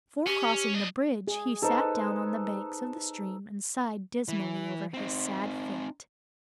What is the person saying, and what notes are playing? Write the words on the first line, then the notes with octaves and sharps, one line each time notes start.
Before crossing the bridge he sat down on the banks of the stream and sighed dismally over his sad fate.
C#4 G4
D4 D#5
G#4
D#4 G#4 A4 B4 C5
E3
C4 D#4